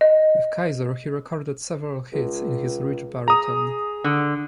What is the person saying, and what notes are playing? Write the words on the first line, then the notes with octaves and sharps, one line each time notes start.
With Kyser he recorded several hits in his rich baritone.
D#5
C#2
G#4 A#5 D#6
D3